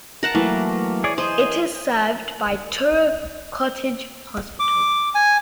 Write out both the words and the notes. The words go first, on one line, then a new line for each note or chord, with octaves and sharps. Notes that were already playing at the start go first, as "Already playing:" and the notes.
It is served by Turriff Cottage Hospital.
A#4 F#5 A5
E3 F#3 A3 A#3
G#4 C#5 D5
G#4 C5 D#5
D6
G#5